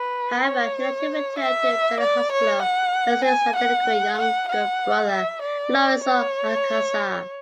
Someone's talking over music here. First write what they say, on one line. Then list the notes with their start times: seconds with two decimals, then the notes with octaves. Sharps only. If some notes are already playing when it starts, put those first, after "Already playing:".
However, he later returned to "General Hospital" as Luis' identical younger brother, Lorenzo Alcazar.
Already playing: B4
0.45 C#5
1.39 E5
2.01 D5
2.32 C#5
2.62 F#5
3.25 G#5
3.56 F#5
4.18 F#5
4.49 F#5
5.12 E5
5.42 D5
6.04 C#5